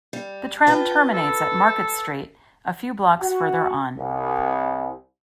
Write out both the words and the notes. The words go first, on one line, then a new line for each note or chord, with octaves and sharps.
The tram terminates at Market Street, a few blocks further on.
G3
F4 B4 G5 A5
A4
F#4
C2